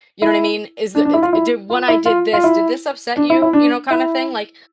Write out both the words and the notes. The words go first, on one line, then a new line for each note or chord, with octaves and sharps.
You know what I mean? Is there it d "When I did this, did this upset you?" you know, kinda, thing, like,
E4
D4
D4
E4
F4
E4
F4
E4
F4
F4
E4
D4
E4
E4
D4
E4